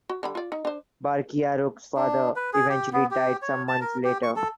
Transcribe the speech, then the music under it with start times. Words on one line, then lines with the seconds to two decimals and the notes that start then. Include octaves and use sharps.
Barkiyaruq's father eventually died some months later.
0.09 F#4
0.23 D3 G3 B5
0.35 F4 D5
0.52 D#4
0.65 D4 C5
1.96 D4
2.36 B4
2.53 G#4
2.70 G4
2.93 B3
3.11 G4
3.42 C#5
3.68 A5
3.81 A#4
4.04 G4
4.23 C#6
4.36 A4